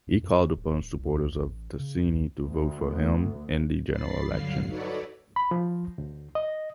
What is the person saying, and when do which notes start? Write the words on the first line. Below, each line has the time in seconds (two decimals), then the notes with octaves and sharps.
He called upon supporters of Tasini to vote for him in the general election.
0.07 D#2
0.22 F#2
0.55 D1
0.99 C2
1.35 A1
1.79 C#3
2.05 C2
2.46 D2
3.90 B5 A6 C7
4.26 G2 D3 F#3 F5 F6 C7
4.67 D#4 F#4 A4 B4 C#5 D5
5.36 B5
5.51 F3
5.98 D2
6.35 D#5